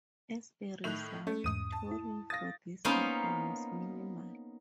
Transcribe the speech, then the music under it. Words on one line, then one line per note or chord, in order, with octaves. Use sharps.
As a result, touring for this album was minimal.
A2 D#3 E5 F#6 F7
A3 C#4
E2 G#2 D#6 D#7
A5
E4
F5 D#6 A6 A#6
A#3 B3 C#4 D#4 C5 F5